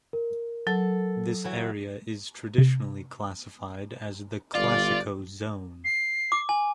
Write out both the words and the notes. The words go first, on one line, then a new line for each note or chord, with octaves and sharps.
This area is traditionally classified as the "classico zone".
A#4
F#3 A4
E3 F#3
C3
G1 F4 D5
C7
D6
G#5